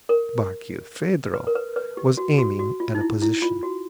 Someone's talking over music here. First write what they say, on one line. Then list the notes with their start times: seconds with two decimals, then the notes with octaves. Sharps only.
Barkilphedro was aiming at a position.
0.09 A#4
1.34 B4
1.47 A#4
1.55 B4
1.76 B4
1.97 G4
2.17 F#4
2.38 F#4
2.59 F#4
2.80 F4
2.95 D#4
3.01 E4
3.22 E4
3.42 F4
3.63 F#4